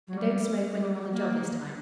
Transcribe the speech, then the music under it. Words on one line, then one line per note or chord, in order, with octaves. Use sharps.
And don't smoke when you're on the job this time.
F#3
G3
G3
G3
A#3